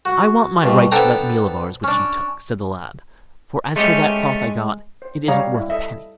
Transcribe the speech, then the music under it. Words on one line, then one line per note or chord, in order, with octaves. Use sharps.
'I want my rights for that meal of ours which you took', said the lad; 'for, as for that cloth I got, it isn't worth a penny.'
F#4
G2 B2
B3 D4 A4 C5 G5 A#5
C#4 D4
G#3 A3 C#4 G4
C5
G3 G4 C#5 F5 A#5
E4
A4 D#5 E5